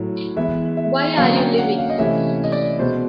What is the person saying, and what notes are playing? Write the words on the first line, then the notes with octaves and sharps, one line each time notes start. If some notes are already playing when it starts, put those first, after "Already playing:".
Why are you leaving?
Already playing: A2 F#3 A3
E3 G#3 B3 E5
E5
D3 F#3 A#3 C#4 F5
G5
F#5
F5
D#5
C3 E3 A3 C#4 E5
D#5
D5
B2 G#3 B3 C5